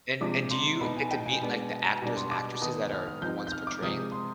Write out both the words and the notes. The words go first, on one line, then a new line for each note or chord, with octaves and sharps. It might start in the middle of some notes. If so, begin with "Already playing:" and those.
And and do you get to meet, like, the actors and actresses that are the ones portraying
C3 F3 G#3 D4 D6
C6
B2 B3 D#4 B5
G#5
G5
G#5
B2 G#3 B3 D4
B2 G3 D4
C6
D6
D#3 B3 D#4 D#6
F6
F6
F3 C4 D#4 G6
G6
F6
D6
C3 F3 G#3 D#6
C6